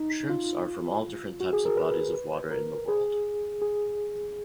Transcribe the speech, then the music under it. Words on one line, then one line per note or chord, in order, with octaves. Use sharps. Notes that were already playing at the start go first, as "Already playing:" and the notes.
Shrimps are from all different types of bodies of water in the world.
Already playing: D#4
F4
F#4
G#4
A#4
B4
A#4
G#4
G#4